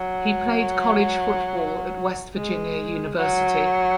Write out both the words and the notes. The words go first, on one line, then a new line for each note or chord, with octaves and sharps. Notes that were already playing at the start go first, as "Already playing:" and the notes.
He played college football at West Virginia University.
Already playing: F#3
G#3
F#3